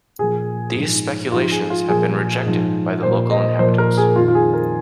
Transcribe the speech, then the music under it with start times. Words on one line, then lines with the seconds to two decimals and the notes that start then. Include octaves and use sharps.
These speculations have been rejected by the local inhabitants.
0.19 A#2 F3 G#4
0.75 G#2 F3
1.32 G#2 F4
1.35 F3
1.51 G#4
1.70 F4
1.89 A#2 F3 G#4
2.46 G#2 F3
3.03 A#2 F3 C5
3.31 D#5
3.59 A#2 F3 C5
3.78 A#4
3.97 G#4
4.16 F2 D#3 F4
4.28 F4
4.35 G#4
4.54 A#4